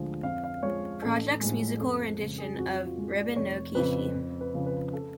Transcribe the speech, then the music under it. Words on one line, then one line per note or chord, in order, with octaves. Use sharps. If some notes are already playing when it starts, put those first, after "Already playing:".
Project's musical rendition of "Ribbon no Kishi".
Already playing: D2 D3 F3 G#3
F2 F5
F5
F3 G#3 C#5
A1 A4
A2 F3 G#3
F2 A4
A4
C#3 G#3 G#4
G#4
F2 F#4
F4
F3 G#3
D5
F1 C#5
F2 C#3 B4
F2
B4
C#3 F3
B4
A4